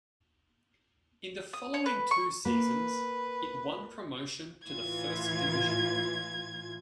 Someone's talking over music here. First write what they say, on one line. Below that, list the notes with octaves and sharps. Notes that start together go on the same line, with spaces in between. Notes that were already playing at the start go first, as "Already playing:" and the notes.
In the following two seasons, it won promotion to the first division.
D#6
C#5
B4
C#6
A#3 B4
A2 E3 F4 G#6